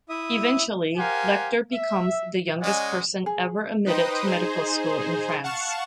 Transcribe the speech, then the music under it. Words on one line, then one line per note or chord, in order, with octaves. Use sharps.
Eventually, Lecter becomes the youngest person ever admitted to medical school in France.
E4 E5 D#6
G4 A#4 C5 F5 F#5 G#5
E5
G#3 C#4 D5 D#5 F#5 G#5
G#4
D#4 B4 C5 D#5 G5 D#6
D#4 G#4 C5
F5 F#5 A5 C#6 E7